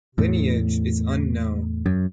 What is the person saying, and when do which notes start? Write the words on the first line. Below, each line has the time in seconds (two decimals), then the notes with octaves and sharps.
Lineage is unknown.
0.18 E2 A2
1.86 F#2